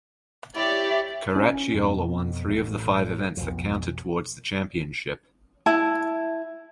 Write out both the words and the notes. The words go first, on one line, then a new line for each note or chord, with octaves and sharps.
Caracciola won three of the five events that counted towards the championship.
E4 G4 C#5 D5 E5
C#4
F2 B2
A1
B1 F2
E4 A5